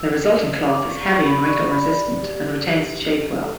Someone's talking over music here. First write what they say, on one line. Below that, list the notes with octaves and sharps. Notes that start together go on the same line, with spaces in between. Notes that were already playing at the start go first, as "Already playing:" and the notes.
The resulting cloth is heavy and wrinkle-resistant, and retains its shape well.
Already playing: E6
D5
G4 D6
C#6
G4 C#6
B5
D5 C#6
B5
D5
G4
G4
D4
A4